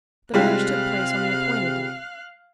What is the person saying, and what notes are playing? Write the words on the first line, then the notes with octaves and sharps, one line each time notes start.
The marriage took place on the appointed day.
C3 G3 G#3 F4 F5 F#6